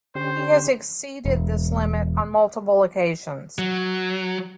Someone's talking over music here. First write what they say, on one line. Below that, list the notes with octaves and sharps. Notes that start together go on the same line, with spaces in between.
He has exceeded this limit on multiple occasions.
D3 C#4 G4 C5
E1
F#3